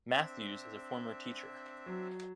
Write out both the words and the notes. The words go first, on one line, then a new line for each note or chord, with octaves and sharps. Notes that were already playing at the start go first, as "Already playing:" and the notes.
Matthews is a former teacher.
C4 D4 E5
F#3